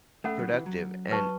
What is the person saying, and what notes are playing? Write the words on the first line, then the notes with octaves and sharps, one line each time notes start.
productive and
A3 C#4 A4 F#5 B5
F#3
E3
F#3
F#3 B4 A5 C#6